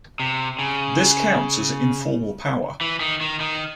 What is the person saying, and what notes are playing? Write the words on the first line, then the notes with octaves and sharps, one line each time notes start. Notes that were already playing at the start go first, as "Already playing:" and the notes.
This counts as informal power.
C3
C#3
E3
D#3
D#3
D#3